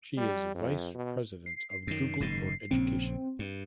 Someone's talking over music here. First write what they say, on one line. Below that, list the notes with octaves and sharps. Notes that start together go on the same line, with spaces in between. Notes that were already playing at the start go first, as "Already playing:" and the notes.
She is vice president of Google for Education.
G3
F2
B2
C7
F#2 D#3
F#1 G#2 D#3
A#1 C#3 C4
G2